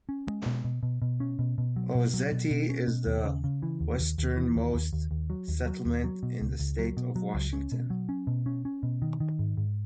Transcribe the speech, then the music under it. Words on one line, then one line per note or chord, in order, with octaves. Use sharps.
Ozette is the westernmost settlement in the state of Washington.
C#4
G#3
B2
B2
B2
B2
C#4
B2
B2
F#3
B2
F#3
B2
B2
C#4
B2
D#2
C#3
C#3
E3
D#2
D#2
D#2
E3
D#2
D#2
D#2
D#2
F#3
D#2
F#3
D#2
F#3
B2
C#2
C#2
F#3
B2
F#3
C#2
C#4
B2
F#3
C#4
B2
C#4
C#4
B2
D#3
D#3
G#2
G#2